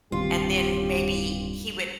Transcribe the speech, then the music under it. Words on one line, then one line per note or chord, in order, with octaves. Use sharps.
and then maybe he would
D1 G2 D#3 C4 F4 G4